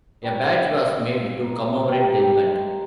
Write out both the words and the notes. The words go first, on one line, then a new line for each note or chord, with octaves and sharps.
A badge was made to commemorate the event.
D#5 G5 B5 C#6
F4
A#3
C3 D#3 G3 A3
G4 D#5
A#5 C6